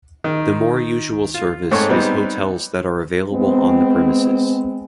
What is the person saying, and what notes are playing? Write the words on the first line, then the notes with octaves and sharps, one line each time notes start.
The more usual service is hotels that are available on the premises.
D#3
F4
G#2 A3 C4 C#5 G5 C#6
G3 B3 C4 D#4
G#3 B3 C4